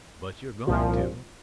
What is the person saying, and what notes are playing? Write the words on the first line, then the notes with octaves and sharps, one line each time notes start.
"But you're going to?"
C2 A#2 F3